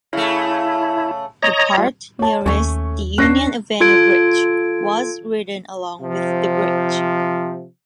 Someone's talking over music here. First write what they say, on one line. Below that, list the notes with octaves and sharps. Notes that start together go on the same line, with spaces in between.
The part nearest the Union Avenue Bridge was redone along with the bridge.
C#3 A3 E4
C#5 D#5 A#5
G3 F4
C#5 A5
D#2 A3 C#4 C#6
C#4 D4 F#6 A#6 C7
F4 A4 G#6 D7
C3 F3